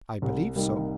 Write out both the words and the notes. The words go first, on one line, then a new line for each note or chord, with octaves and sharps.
"I believe so."
C2
C3 G3 A#3 D#4